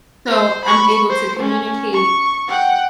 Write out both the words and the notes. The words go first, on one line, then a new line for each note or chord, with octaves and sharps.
so, I'm able to communicate
C5
B5 C#6
C5
C#4
C#6
F#5 G5